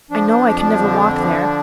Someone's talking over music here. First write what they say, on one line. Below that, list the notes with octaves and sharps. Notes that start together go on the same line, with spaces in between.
I know I can never walk there.
F3 D4
F2
D3
F3